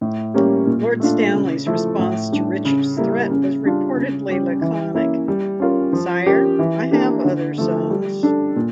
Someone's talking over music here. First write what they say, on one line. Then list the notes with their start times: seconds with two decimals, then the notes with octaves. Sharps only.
Lord Stanley's response to Richard's threat was reportedly laconic: "Sire, I have other sons".
0.01 A2
0.34 G3 A#3 C#4 G4
0.67 A#2
1.00 A3 D4 F4
1.34 C#3
1.66 F3 A3 E4 A4
1.99 A2
2.32 G3 D4 G4
2.65 C#3
2.97 G3 A#3 E4
3.30 C#3
3.64 G3 D4 F4
3.96 C#3
4.29 G3 C#4 G4
4.61 E3
4.95 A#3 C#4 E4
5.28 G3
5.60 C#4 F4 A#4
5.93 F3
6.26 C#4 G4 A#4
6.59 E3
6.91 A#3 D4 G4
7.24 D3
7.58 F3 A3
7.90 G3
8.23 D4 A4
8.56 A#2